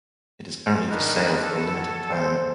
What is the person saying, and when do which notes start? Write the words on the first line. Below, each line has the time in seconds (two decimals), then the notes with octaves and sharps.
It is currently for sale for a limited time.
0.90 D#3 D4 B4 F6
1.42 A4
1.74 B3 F#4 G#5
2.12 G#3 C5